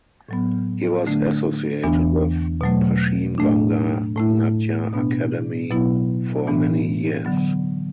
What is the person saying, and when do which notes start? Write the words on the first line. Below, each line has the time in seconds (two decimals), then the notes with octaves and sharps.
He was associated with Paschim Banga Natya Akademi for many years.
0.29 A2 F#3 B3
1.07 D3 A3 D4
1.83 E2 E3 B3 D4
2.61 B2 F#3 A3
3.38 A2 A3 D4
4.16 A2 A3 E4
4.93 B2 B3 D4
5.70 B2 F#3 B3 E4
6.47 A2 E3 B3 D4
7.25 D3 F#3 B3